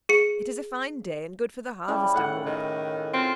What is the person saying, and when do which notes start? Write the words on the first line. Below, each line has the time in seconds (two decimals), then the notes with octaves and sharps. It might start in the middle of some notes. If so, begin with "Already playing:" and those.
It is a fine day, and good for the harvest, I hope.
0.09 G#4 C#7
1.88 C#3 E3 G3
2.14 A2 F#5 G5
2.46 D#3
3.13 C4 F4 F5